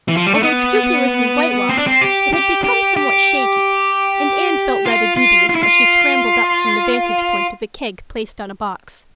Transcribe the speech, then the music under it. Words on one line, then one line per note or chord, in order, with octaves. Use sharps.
Although scrupulously whitewashed it had become somewhat shaky, and Anne felt rather dubious as she scrambled up from the vantage point of a keg placed on a box.
E3
F3
G3
A3
B3
C4
D4
C4
G4
G4
G4
G4
F4
F4
F4
E4
F4